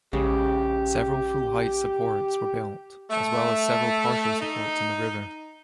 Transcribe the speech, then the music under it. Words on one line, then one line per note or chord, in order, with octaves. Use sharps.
Several full-height supports were built, as well as several partial supports in the river.
A#1 C#3 G#3 G4
A3
D#4